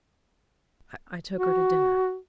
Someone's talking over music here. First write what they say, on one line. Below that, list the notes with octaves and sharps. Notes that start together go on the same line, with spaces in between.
I took her to dinner.
F#4